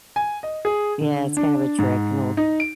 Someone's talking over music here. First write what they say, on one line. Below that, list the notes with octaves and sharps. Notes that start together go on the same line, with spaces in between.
Yeah, it's kind of a trick, an old
G#5
D#5
G#4
D3
D4
G#2
D#4
D7